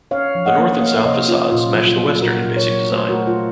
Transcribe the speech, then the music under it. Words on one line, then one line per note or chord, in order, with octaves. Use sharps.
The north and south facades match the western in basic design.
C#4 C#5 F5
F3
D#5 F#5
A#3
A#3 C#5 F5
C3 C5 D#5
C#4 F4
A#2 F4
F#3
F4
F#3
A#2 F#4 A#4
A#2
A#4 C#5
F#3
A3 A4 C5
F#4 A#4
A3
F4 A4